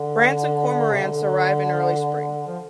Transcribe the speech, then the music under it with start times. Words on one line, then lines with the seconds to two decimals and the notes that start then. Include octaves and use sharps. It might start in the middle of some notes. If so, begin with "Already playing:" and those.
Brants and cormorants arrive in early spring.
Already playing: D3
0.93 C3
1.00 D3
2.47 F3